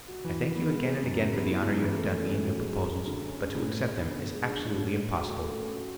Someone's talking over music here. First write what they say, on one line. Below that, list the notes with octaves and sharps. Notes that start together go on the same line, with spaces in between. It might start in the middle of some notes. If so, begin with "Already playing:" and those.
I thank you again and again for the honour you have done me in your proposals, but to accept them is absolutely impossible.
F#4
E3
E3
B3
G#3
C#4
F#2
C#3
B3
E4
F#2
E3
A3
C#4
A2
F#3
G#3
F#2
F#2
D3
C#4
G#4
A2
G#3
B3
D3
D3
G#3
D4
A2
A2
G#3
F#4
A3
A3
C#4
F#4